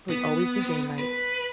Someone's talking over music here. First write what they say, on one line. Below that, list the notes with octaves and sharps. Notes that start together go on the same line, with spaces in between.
We always do game nights,
B3
B4